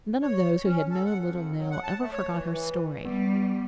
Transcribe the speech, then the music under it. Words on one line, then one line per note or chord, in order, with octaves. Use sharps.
None of those who had known little Nell ever forgot her story.
C#5
C#4
A4
F#5
F2
F#3
F#5
A5
A3
C#5
E3
E3
G3 B3